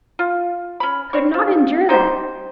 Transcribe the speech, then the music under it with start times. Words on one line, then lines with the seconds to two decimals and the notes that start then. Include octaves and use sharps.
I could not endure that.
0.19 F4
0.80 C#4 B5
1.13 C4 E4 C#5 C#6
1.34 F3
1.89 D#4 G4 C5